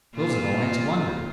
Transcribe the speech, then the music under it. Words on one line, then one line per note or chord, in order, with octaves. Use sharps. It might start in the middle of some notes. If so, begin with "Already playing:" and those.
Those are the lights of London.'
A#2 F4